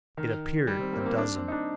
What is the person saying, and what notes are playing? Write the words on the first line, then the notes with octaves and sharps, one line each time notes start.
It appeared a dozen.
D#3
G3
C4
A#3
C4
A#3
D4
C4
D#4
D4